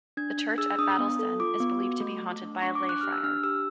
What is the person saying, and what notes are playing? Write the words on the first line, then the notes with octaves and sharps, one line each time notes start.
The church at Battlesden is believed to be haunted by a lay friar.
D4 G#6
D4
G#4 E6
D4 D#6
B3
A4
F4 D6
B3
F#4
A3
A3
D4
D4 C#6
D6
D4
F#6
G4 F6
E6
D4 F6
G4 E6